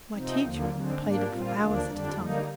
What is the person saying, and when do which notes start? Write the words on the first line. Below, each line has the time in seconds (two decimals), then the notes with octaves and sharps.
My teacher and I played it for hours at a time.
0.14 C3 F3 C4 D#4
0.43 D#2 D3 F3 A#3
0.71 D3 G#3 C4
1.00 G#2 G3 A#3 D4
1.28 A#2 G3 C4 F4
1.58 D#2 D3 F3 A#3 D4
1.86 F2 D3 G3 D4
2.15 D3 G3 A#3 D#4